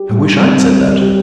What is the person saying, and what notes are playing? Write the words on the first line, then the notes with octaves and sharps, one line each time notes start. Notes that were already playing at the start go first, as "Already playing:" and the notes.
"I wish I'd said that."
Already playing: G4
G3
C4
G3
G4